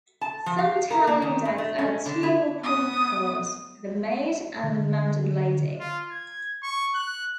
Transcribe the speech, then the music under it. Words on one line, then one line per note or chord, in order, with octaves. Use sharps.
Some Italian decks add two more court cards: the maid and the mounted lady.
A5
F3
F5
A#4
A#3
D#3
G2
A3
C#4
D3
E4
B3 D#6
D3
F4
G#6
C#6
F#6